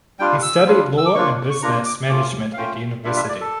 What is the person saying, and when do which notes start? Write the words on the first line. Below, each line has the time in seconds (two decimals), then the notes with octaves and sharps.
He studied law and business management at university.
0.19 G3 D4 F4 G5
0.43 E6
0.66 G3 D4 F4
0.98 E6
1.06 D6
1.14 A#3 D4 F4 C#6
1.50 C#6
1.62 A#3 D4 F4 A#5
1.86 D6
2.09 A3 C#4 F4 D6
2.53 F5
2.57 A3 C#4 F4 G5
3.04 G3 D4 F4 E5
3.16 E5
3.29 D5
3.41 A4